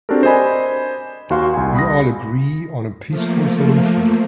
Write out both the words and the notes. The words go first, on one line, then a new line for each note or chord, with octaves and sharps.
We all agree on a peaceful solution.
C4 D4 F#4 G4 A4 A#4
C5 D5 D#5 G#5 B5
D#2 F#4 F5 C6
C2 G#5
B5 D#6 A#6
F3 A3 A#3